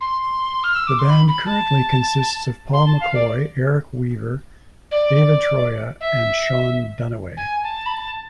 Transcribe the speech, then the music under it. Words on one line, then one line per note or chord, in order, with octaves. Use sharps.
The band currently consists of Paul McCoy, Eric Weaver, David Troia and Sean Dunaway.
C6
F6
E6
D6
C6
B5
B5
A5
C6
A5
F5
D5
D5
E5
G#5
A5
B5
A5